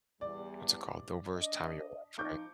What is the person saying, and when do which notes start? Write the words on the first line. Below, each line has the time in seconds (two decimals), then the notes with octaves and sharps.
what's it called? The worst time of your life right?
0.21 E2 G3 D5
1.37 D4 D#5
2.18 F3 D#4 C#6 D6 G6